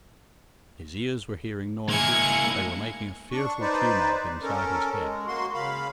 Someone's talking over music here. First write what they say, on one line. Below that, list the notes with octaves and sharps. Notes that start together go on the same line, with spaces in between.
His ears were hearing noises--they were making a fearful tumult inside his head.
G#3 A#3 E4 G#5 G#6 C#7
D4 C#6
D#4 B4 C5 D5
C#4 A4 A#4
G#3
A#3 F#4 C6
C#3 F5 B5